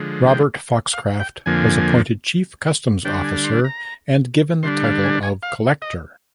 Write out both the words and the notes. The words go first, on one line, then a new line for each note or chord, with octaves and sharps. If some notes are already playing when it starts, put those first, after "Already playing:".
Robert Foxcroft was appointed chief customs officer and given the title of Collector.
Already playing: D3 F3 G#3
G5
F5
G5
F2 D3 F3 A#3 G#5
D3 G3 D4 G5
G#5
C6
A#5
D3 G3 D4 C6
F5
G#5
G#5
F5
D#5